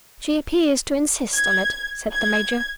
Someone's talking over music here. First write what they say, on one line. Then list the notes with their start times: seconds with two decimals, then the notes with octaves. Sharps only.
"She appears to insist on it," said the Major.
1.34 G#6
2.13 G#6